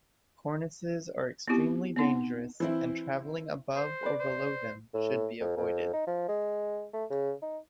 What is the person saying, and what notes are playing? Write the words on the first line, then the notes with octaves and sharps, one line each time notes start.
Cornices are extremely dangerous and travelling above or below them should be avoided.
B3 C4 E4 F4 G4
B3 C4 D#4 F#5
E3 C4 E4
C5
B4 D5
C5
A2
F2
F2
D#4
F3
G#3
A3
C#3
D#4